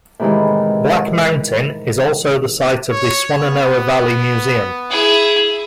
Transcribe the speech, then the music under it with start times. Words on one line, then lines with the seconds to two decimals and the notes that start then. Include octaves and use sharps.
Black Mountain is also the site of the Swannanoa Valley Museum.
0.19 A2 C3 D#3 E3 G#3
2.91 C#5
3.40 B3
4.90 E4 G#4